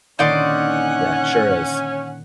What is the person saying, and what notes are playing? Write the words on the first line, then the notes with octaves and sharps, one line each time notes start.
Yeah, it sure is.
A#2 D3 D#3 C#4 D#4 D5 F#5 C6